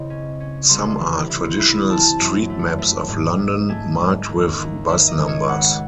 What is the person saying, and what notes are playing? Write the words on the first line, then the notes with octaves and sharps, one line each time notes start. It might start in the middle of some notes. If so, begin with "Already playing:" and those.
Some are traditional street maps of London marked with bus numbers.
Already playing: C#3 C4 E4 D#5
C#4
C#4
C2 C6
E3
E4
E4
C4 A5
F#2
A3
A3
G#2
G#2
A3 G#5
G#2
D#2
D#2
D#3 E5
D#5
G#3
C#5
C#2 F#5